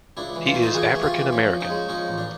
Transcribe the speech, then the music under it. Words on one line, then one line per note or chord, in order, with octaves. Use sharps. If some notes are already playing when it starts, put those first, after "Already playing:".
He is African-American.
C#2 D4 E4
E3
F4
A3 E4
D#4 F4
E3 F#4 G#4
A3
F4 G4
E3
F3 C#4
F3
C#4 D#4
G#3
F3 C#4 D#4
A1
D4